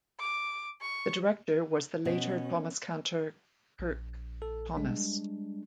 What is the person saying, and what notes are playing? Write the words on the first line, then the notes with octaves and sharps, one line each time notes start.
The director was the later Thomaskantor Kurt Thomas.
D6
C#6
B2 C#4
A#1
A4
G3 G#3 D4